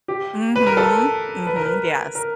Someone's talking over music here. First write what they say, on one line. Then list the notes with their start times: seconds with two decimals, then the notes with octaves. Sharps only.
Mhm. Mhm. Yes.
0.08 G4
0.56 B4
0.67 A#4
0.77 A4
1.47 B4
1.56 A#4
1.66 B4
2.15 A#4